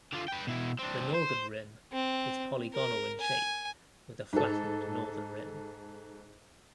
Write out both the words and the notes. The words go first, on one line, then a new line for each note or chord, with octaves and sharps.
The northern rim is polygonal in shape, with a flattened northern rim.
D3 F4
B4 G5
B2 E4
C4 D4
C5
C4
A#4
G#5
G#2 A4